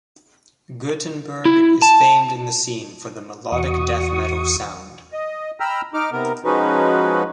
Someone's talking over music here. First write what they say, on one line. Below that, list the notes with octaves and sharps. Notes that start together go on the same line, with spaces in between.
Gothenburg is famed in the scene for the "melodic death metal" sound.
E4
A5
E2 F#4 C#6 D#6
D#5
G5 A#5 B5 E6 F6
D#4 D6 F6
C3 B3 A#4
F3 G#3 C#4 D#4 F#4 B4